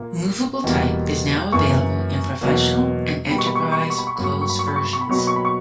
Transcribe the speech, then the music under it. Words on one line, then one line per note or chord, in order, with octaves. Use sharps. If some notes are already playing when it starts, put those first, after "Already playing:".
Movable Type is now available in "Professional" and "Enterprise" closed versions.
Already playing: A#2 A#3
E2 B2 G3 A#3
F#2 E3 A#3 C#6
E2 B2 F#3 A#3
B2 G3 A#3 B5
C#6
B5
C#6
B5
C#6
B5
C#6
B5
C#6
G2 F#3 A#3 B5
C#6
B5
C#6
B5
C#6
B5
C#6
B5
C#6
B5
B2 F#3 A#3 C#6
B5
C#6
B5
C#6